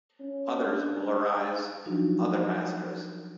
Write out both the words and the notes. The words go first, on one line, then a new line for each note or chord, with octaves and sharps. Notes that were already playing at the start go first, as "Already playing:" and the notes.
Others will arise — other masters.
C#4
D4
F3 F#3 D4 D#4 F4 F#4